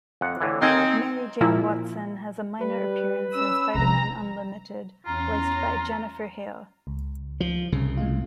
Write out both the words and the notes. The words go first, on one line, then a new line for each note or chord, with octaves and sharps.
Mary Jane Watson has a minor appearance in "Spider-Man Unlimited", voiced by Jennifer Hale.
F2 F#5
A2 D3 E3
D#2 C4 D#4 A#4 G#5
A#2 F3 E4 F4 A#5
G3 B4
C#4 E6
C#2 C3 F3 A#5
E2 C#4 F4 A#5 C6
C#2
F3
C2 C#3
A2 G#3 F4